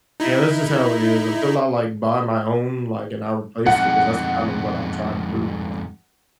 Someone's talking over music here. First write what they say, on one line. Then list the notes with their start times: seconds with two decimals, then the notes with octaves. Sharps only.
yeah, that's just how it is, until I like buy my own, like, and I replace it, 'cause that's kind of what I'm trying to do,
0.20 D#4 E4
3.67 F2 G#2 F#5